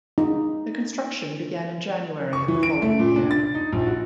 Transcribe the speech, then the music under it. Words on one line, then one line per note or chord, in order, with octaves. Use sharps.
The construction began in January of the following year.
D#4
C#6
E3
D7
A3
A#2
D4
A6
D#4
A#1
F#4